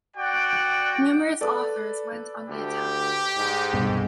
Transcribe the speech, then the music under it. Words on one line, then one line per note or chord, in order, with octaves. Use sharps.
Numerous authors went on the attack.
F#4 D5 F#5 G5
A4 B4 D5
D2 G4
G#2
C2 G2 B2